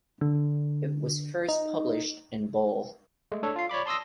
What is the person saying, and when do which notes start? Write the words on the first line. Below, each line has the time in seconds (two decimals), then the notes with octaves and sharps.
It was first published in Bull.
0.21 D3
1.48 D#4
3.32 G#3 A3
3.43 D4 A4 C#5
3.56 F4 C7
3.69 C#5 D5 B5 D6
3.86 A5 C6 D#6 E6 A#6